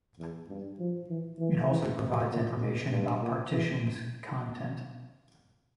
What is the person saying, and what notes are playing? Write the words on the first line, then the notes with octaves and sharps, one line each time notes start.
It also provides information about partitions content.
E2
G2
F3
E3
E3
E3
C3
A#2
G#2
G2
A#2
E3